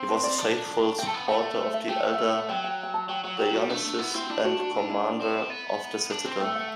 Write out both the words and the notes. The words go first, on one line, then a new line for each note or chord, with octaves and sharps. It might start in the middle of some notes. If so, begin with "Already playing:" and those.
He was a faithful supporter of the elder Dionysius, and commander of the citadel.
Already playing: C4
B4
D5
D4 D5
C4 G5
A3 A5
B3
A3 F#5
D5
B4
C5
E5
A3 G5
G5
F#5
E5
F#5
F#3 G5
G5
G5
A5
F#3 G5
F#3 F#5
F#3 G4
G3 F#4
A3 D4
D4
B3 E4
C4 E4
D4 E4
F#4
F#4
E4
E4
D5
C4
B3 E5
D4
C4
A3 G5
F#5